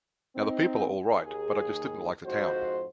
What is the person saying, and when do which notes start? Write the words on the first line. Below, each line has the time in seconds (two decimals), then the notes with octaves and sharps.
Now the people are all right, but I just didn't like the town.
0.36 C4 D#4
1.16 D#2 G#4
2.26 F2 G#2 F#4 C5